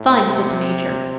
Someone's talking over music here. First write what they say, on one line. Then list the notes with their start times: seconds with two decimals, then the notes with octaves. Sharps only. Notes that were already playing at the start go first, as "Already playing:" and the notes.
"Fine," said the Major.
Already playing: A2
0.24 C3